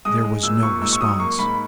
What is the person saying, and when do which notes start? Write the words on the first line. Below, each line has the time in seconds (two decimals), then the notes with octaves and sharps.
There was no response.
0.05 G#3 D#6
0.24 G#3
0.43 A#2 E6
0.63 A#2 C#6
0.82 G#2 E6
0.93 C#6
1.01 F#3 D#6
1.19 A#3 C#6
1.39 G#2 B5